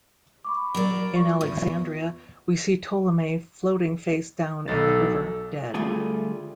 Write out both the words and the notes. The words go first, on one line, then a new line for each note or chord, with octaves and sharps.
In Alexandria, we see Ptolemy floating facedown in the river, dead.
B5 C#6 D6
F#3 A#4 D5
F4 C#6
E2
B1 D#4 A4 A6
D2 G3 A3 F4 G#4 A4